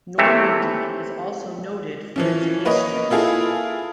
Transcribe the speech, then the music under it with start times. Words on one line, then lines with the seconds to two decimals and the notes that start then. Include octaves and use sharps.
Normandy is also noted for its pastries.
0.18 C3 E3 A3 C4 C#5 E5
2.16 E3 F3 C#4
2.65 A#3 B4 C#5 D#5
3.10 A#3 E4 F4 G#4 A4